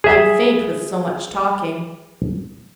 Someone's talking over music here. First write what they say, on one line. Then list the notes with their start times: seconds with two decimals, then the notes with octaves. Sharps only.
I'm faint with so much talking.
0.04 G#4 E5